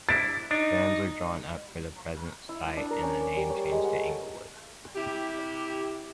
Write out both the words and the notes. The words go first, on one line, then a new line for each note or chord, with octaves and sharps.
Plans were drawn up for the present site and the name changed to Inglewood.
D4 E4 A6
D4 D#4
E4
D#6
D4
A#4
C#4
D6
G3
C#5
G#3
F#5
A3
C3 E4 G4